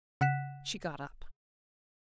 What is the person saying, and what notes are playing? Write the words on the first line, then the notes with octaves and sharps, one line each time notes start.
She got up.
C#3 F#5 F#6 B6 E7